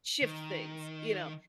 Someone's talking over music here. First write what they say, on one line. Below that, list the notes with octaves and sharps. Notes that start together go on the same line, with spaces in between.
shift things, you know,
D#3